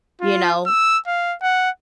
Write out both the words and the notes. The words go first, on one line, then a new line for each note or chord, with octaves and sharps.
you know?
F4
E6
F5
F#5